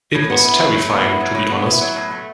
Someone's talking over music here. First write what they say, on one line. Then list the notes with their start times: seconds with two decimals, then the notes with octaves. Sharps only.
It was terrifying, to be honest.
0.14 A2
0.30 B3
0.44 E4
0.59 F#3
0.75 A2
0.90 B3
1.05 E4
1.20 F#3
1.35 A2
1.50 B3
1.66 E4
1.81 F#3
1.96 A2
2.11 A3